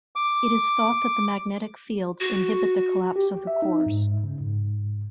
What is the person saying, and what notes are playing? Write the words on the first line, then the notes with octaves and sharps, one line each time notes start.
It is thought that the magnetic fields inhibit the collapse of the cores.
D6
F#4
G4
E5
D#4
G#2
C#3
G#2